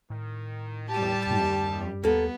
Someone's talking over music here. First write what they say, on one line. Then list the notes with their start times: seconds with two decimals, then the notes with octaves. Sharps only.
It's like, come on now,
0.10 A2 D#3
0.89 G3 G4 A5
1.27 F#2
2.04 D#2 A#3 B3 A4